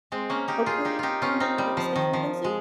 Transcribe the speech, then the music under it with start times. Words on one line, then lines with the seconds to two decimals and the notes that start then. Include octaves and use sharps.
hopefully we can have a discussion again soon.
0.12 G#3 C4
0.29 A#3 C#4
0.48 D#4 G4
0.66 F4 G#4
0.85 D#4 G4
0.99 D#4 F4 G4
1.22 C#4 F4
1.40 C4 D#4
1.58 G3
1.77 F3
1.96 D#3
2.13 F3
2.44 G#3